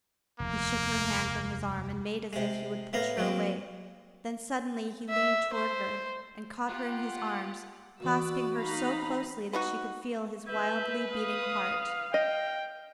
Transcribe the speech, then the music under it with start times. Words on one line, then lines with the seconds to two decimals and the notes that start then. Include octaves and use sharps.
He shook her hand from his arm and made as if he would push her away, then suddenly he leaned toward her and caught her in his arms, clasping her so closely that she could feel his wildly beating heart.
0.40 F1 D#2 A#3
2.33 C3 G#3
2.93 A2 B3 F5 A#5
3.17 F#3 A#3 C4
5.09 E5
5.53 C5
6.68 F4 G4 F#5 A#5 C#6 F#6
8.00 E3 A#3 F#4 D5 E6
8.58 D#4 F5 A#5 B5
9.53 B3 D#4 F#4
10.48 B4 E5 G6
11.13 F5 D#6
12.14 D#5 G5